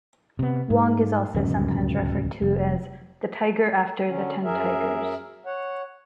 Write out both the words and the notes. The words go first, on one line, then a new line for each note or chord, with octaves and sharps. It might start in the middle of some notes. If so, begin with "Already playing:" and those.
Wong is also sometimes referred to as the "Tiger after the Ten Tigers".
C3 B3
G#2
D1 C#2 F#2 B2
F1
D3 F#3 C#4
F#2 G#4 A#4 E5
C#5 F#5